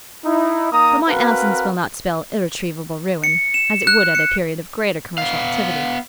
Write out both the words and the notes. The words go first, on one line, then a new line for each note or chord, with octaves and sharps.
But my absence will not spell irretrievable ruin, as it would at a period of greater commercial activity.
D#4 E4
A#3 D#4 A#5 D#6
C4 F#4 A#4 B4 F5
C#7
E7
F#6
C#7
B3 F5